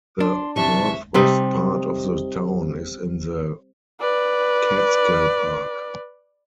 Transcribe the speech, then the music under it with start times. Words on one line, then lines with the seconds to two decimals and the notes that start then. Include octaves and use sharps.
The northwest part of the town is in the Catskill Park.
0.20 D4 C6
0.56 C3 E3 E5 A5 C#6
1.14 C3 G3 D#4
4.01 B4 D5